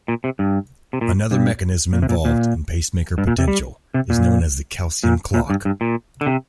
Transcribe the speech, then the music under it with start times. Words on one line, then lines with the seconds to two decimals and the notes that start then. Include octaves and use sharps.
Another mechanism involved in pacemaker potential is known as the calcium clock.
0.08 A#2
0.24 C3
0.39 G2
0.93 C3
1.01 A#2
1.31 G2
1.93 A#2
2.02 C3
2.09 A#2
2.25 A#2
3.18 G2
3.27 A#2
3.38 C3
3.48 G3
3.94 C3
4.10 A#2
5.04 A#2
5.34 A#2
5.50 G2
5.65 G2
5.81 A#2
6.21 D3
6.26 C3